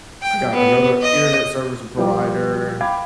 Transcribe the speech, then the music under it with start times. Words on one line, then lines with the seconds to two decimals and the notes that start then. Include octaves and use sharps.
I got another internet service provider
0.22 G5
0.53 B3
1.02 D#5
1.97 F3 G3 C5 G5 D6
2.81 F5 G5 B5 D6 G#6